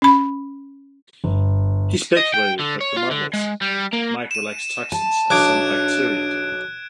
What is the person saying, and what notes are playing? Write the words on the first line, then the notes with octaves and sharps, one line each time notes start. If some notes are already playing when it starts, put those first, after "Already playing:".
He speculated that molds might release toxins, as some bacteria do.
C#4 B5
G1
D#5
G5
D3
C#5
F4
D3
G#3
G3
A#3
D#7 E7
A5
B1 D4 D6 F#6 G#6 D7